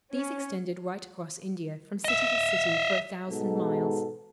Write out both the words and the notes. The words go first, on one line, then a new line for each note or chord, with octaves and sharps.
These extended right across India, from city to city, for a thousand miles.
C#4
D#5 E5
G#2 B2 G#3 A4